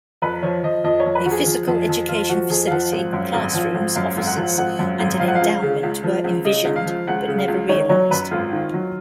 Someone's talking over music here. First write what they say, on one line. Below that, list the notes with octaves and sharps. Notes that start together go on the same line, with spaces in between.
A physical education facility, classrooms, offices and an endowment were envisioned, but never realized.
F2 B4
F3 C#5
F3 D#5
F2 D#5
C#5
F2
B4
F3 F#4
G#4
F3
F2
F2
F3 F4
F3 F#4
F2 G#4
F5
F3 F#5
G#1
F#2
G#1
F3
G#1
F#2 F5
G#1
F#5
F3
G#1 F#5
F#2
G#1
F3 F5
F#5
F5
C#2
C#3
C#2
F3
C#2
C#3 D#5
C#2
F5
F3
C#2 F#5
C#3
F5
C#2
D#3 C#5
F#3 C#5
F#2 B4
G#1 F4
D#3
F#3